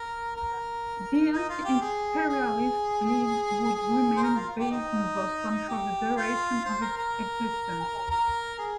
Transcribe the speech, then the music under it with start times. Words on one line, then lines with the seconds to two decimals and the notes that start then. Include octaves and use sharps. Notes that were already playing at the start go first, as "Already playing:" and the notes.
The Anti-Imperialist League would remain based in Boston for the duration of its existence.
Already playing: A#4
0.36 A#4
1.33 D#4
1.49 F4
1.65 G4
1.81 G#4
2.29 G#4
3.75 G#4
4.17 C5
4.23 A#4
4.35 F4
4.59 G4
4.71 D#4
5.68 G4
6.17 F4
6.65 C5
6.81 A#4
6.97 A#4
8.10 A#4
8.59 G#4